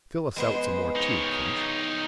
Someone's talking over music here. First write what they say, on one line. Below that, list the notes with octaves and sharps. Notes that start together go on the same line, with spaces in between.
Fill us out some more tea, Kinch.
G#3 B3 C5
D#4 C#5